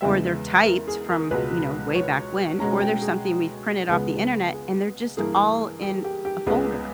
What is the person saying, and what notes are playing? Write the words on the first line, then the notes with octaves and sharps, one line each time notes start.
or they're typed from, you know way back when, or they're something we've printed off the internet, and they're just all in a folder,
E2 C#3 G#3 B3 E5
A#4
G#4
A#4
C#2 B2 G#3 B4
C#5
B2 G#3 C#4 A#5
G5
G#4
C#2 C#3 G#3 B3
G#4
G2 E3 A#3 G#4
G4
G4
G4
C#2 C#3 G#3 B3 G#4